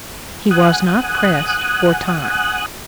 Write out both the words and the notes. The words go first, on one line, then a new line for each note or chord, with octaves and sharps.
He was not pressed for time.
F#5 G#5 D#6 F#6